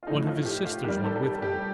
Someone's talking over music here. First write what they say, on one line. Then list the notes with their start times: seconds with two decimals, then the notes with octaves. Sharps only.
One of his sisters went with him.
0.03 F4
0.06 A2 F3 A3 D#4
0.27 F4
0.45 G4
0.65 F4
0.84 D#2 D#3 G3 G4
1.04 A4
1.16 A4
1.23 G4
1.42 G4